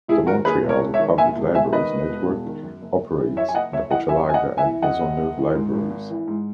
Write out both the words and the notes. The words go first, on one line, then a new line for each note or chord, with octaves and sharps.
The Montreal Public Libraries Network operates the Hochelaga and Maisonneuve libraries.
E1 E4 G#4
D#3 F#4 A#4
D#2 G#4 B4
E1
A#4 C#5
E1
C#5 E5
D#3
D#2 E5 G#5
E1
E1 E5 G#5
D#3 B4 D#5
D#2
E1
E1
D#3
F#2
F#1
F#1
E3
F#2 C#5 E5
G#5
F#1 D#5 F#5
F#1 C#5 E5
E3 D#5 F#5
F#2 E5 G#5
F#1 G#5
D#5 F#5
F#1
E5 G#5
E3
F#2 D#5 F#5
F#1
F#1
E3
G#2
G#1
G#1
E3
G#2